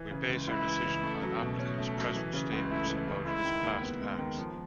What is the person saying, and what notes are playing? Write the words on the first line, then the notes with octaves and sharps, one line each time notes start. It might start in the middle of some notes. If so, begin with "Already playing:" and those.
We base our decision on applicant's present statements about his past acts.
Already playing: E3
C#3
C#2
C#2 E4
E3
C#3
A3
F#3
B2
C#4
A3
F#3
E3
C#3
C#2
A3 E4
E3
C#3
G#3 E4
D#3
D#2
B3
G#3
D#3
F3